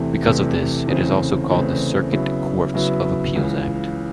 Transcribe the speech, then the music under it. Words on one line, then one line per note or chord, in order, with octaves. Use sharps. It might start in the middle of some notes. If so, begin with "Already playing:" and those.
Because of this, it is also called the Circuit Courts of Appeals Act.
Already playing: E2 C3 E3 A3 C4
E2 C3 E3 A3 C4
E2 C#3 E3 A3 C4
E2 C#3 E3 A3 C4
C#3 F#3 B3 E4
C#3 F#3 B3 E4
C#2 C#3 E3